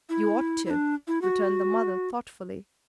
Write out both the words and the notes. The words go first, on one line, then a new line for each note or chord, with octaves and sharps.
"You ought to," returned the mother, thoughtfully.
E4
E4
D4
E4
F#4